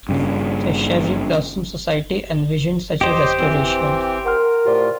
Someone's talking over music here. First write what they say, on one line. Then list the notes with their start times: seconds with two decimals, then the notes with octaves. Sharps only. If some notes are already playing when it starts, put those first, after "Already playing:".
The Cherry Blossom Society envisioned such a restoration.
0.09 G2 C#3
3.01 F2 G4 C5 D#5 G5 D6
3.39 E3 C4
4.26 A#4 F#5 C6 F6
4.65 A2 F4 G4 C5 D5